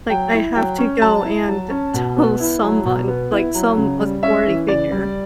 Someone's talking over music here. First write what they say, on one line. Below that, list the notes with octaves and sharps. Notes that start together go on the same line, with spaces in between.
like “I have to go and tell someone, like some authority figure
F#3 G5
E4
F#3 G5
C#4
F#3 A5
E4
F#3
C#4
B2
B3
E4
F#3
B2
B3
E4
F#3
C#3
G3
C#4 E5
E3
C#3 D5
G3